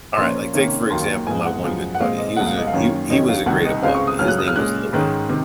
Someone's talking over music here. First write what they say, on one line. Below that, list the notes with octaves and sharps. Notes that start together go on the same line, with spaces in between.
alright, like, take for example, my one good buddy, he was a he he was a grade above me, his name was Louis.
A#2 F3 A#3 C#4 C6
C3 D#3 A#3 C#4
D#2 D#3 F#3 A#3 C6
G#2 F3 G#3 G#5
F#5
F#2 F3 G#3
F#5
A#2 G#3 C4 F5
D#5
C2 A#2 G#3 F#5
F5
D#5
F5
F#2 D#3 A#3 C#4
F2 D#3 F#3 C#4 D#5
F5
C2 C3 D#3 F#5
D#5
C#2 C#3 G#3 C4 F5
C#6
D#6
C#2 C#3 F#3 C#4 F6
F#6
D#6
F6
A#2 G#3 C#4 F#6
G#2 D#3 G#3 C#4
C3 D#3